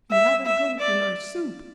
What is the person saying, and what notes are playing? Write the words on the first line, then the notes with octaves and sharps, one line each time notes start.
"You haven't drunk your nice soup."
E5
E5
D5